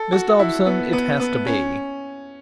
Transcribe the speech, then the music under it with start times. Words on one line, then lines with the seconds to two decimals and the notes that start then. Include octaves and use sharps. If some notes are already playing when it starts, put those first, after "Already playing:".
Miss Dobson, it has to be.
Already playing: A4
0.12 F#4
0.39 E4
0.66 B3
0.93 B3
1.19 B3
1.46 C#4